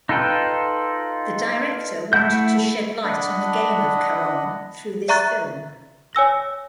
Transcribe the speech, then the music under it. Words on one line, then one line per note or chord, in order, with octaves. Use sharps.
The director wanted to shed light on the game of carrom through this film.
D#4 F4 A4 B4 G5
A3 E4 F#5 G6
D4 D#5 F#5 B5
D5 E5 A#5 C#6 F#6 A6
C#5 G#5 E6 A#6